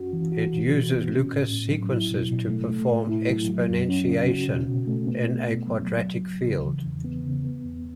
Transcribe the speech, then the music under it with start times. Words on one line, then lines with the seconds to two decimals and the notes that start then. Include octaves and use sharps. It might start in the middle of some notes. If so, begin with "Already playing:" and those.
It uses Lucas sequences to perform exponentiation in a quadratic field.
Already playing: F#2 C#4 F#4
0.13 E3
0.32 F#4
0.53 B2
0.72 B2
0.92 B3
1.12 C#4
1.32 A2
1.51 A2
1.71 F#3
1.91 E4
2.11 B2
2.30 B2
2.50 A3
2.70 A3
2.89 A2
3.09 E4
3.29 F#3
3.48 F#3
3.69 F#2
3.89 C#4
4.08 C#3
4.28 F#4
4.48 B2
4.68 B2
4.87 A3
5.07 B3
5.27 B2
5.47 B2
5.66 F#3
5.87 F#3
6.06 C#2
6.26 C#2
6.46 C#3
6.65 E3
6.85 E2
7.05 B3
7.25 C#3
7.44 B3
7.64 E2